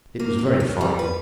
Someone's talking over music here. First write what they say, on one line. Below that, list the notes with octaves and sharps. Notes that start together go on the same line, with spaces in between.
It was very fine!
A#3
A#3
C#4
G3
B4